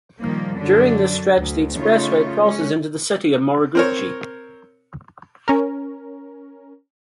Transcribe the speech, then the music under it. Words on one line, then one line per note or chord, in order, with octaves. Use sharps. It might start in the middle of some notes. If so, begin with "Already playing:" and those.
During this stretch the expressway crosses into the city of Moriguchi.
A#2 D#3 F3 G3 A#3
F#2 D3 F#3 D4
D2
C#3 A3 D#4 F4 C#5
G#3 C#4
C4 A#4 C#5
C#4 A#4